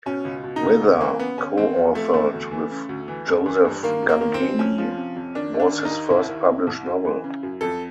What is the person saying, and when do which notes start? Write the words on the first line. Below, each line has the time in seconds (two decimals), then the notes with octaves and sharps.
"Wither," co-authored with Joseph Gangemi, was his first published novel.
0.06 B2 C#4
0.25 C#2
0.43 B2
0.56 D#4
0.63 C#2
0.81 D#2
1.00 E3 A#3
1.19 C#3 B3
1.38 D#2 C#4
1.57 E2 C4
1.76 F3
1.95 C3 A3
2.13 E2 A3
2.33 D2
2.51 E3
2.70 C#3
2.89 D2
3.08 E3
3.26 G2
3.46 E3
3.65 G2
3.83 D#3 A#3
4.03 F#2
4.09 A#3
4.21 D#3
4.34 C4
4.40 F#2
4.59 F2 C#4
4.78 F3
4.97 C3
5.16 F2
5.35 D#3 D4
5.54 D#2
5.60 D4
5.73 D#3
5.79 D4
5.85 D#4
5.91 D#2
6.10 C2 E4
6.29 D#3
6.48 C3
6.67 C2
6.86 F#2
7.05 E3
7.24 C#3
7.43 F#2
7.61 F2 A4